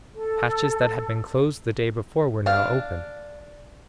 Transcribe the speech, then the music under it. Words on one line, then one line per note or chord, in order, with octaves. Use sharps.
Hatches that had been closed the day before were now open.
A4
D4 F5